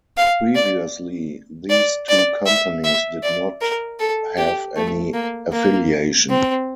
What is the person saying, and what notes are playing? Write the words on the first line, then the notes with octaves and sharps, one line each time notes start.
Previously, these two companies did not have any affiliation.
F5
D5
D5
D5
E5
E5
D5
A#4
A4
G4
A3
A#3
A#3
C4